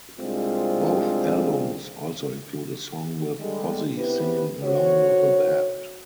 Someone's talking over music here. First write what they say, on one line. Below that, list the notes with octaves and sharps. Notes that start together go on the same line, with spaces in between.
Both albums also include a song with Ozzy singing along with a band.
C2 G#3 C4 D4 F4
D3 G3 G#3
B3 C4 E4 G4 B4
D3 F#4 C5 C#5